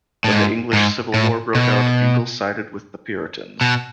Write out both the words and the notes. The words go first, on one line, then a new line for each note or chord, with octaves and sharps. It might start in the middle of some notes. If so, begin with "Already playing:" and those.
When the English Civil War broke out, Ingle sided with the Puritans.
A2
G#2
G#2
A2
B2
B2